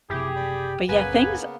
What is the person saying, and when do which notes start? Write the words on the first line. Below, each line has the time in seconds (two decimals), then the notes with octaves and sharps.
but, yeah, things
0.10 F#1 C3 E4 G4 G#4
0.36 D5 B5
0.89 F#1 C#2 C#3 A#3 B3 B4 G#5